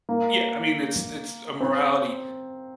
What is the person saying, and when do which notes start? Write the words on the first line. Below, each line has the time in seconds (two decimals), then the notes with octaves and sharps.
yeah, I mean, it's it's a morality
0.09 A#3
1.61 C4